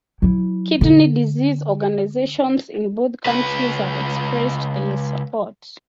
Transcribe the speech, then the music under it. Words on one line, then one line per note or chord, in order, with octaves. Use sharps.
Kidney disease organisations in both countries have expressed their support.
F#3 E4
D3
C#2 B4